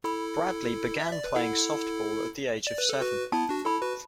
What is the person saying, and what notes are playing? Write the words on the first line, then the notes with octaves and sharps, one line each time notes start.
Bradley began playing softball at the age of seven.
E4 A4 B5
E5
D5
B4
E4 A4 F#5
D5
B4
A4
F#4 B4
B3 E4 A5
D4 F#4
E4 A4 B5
F#4 B4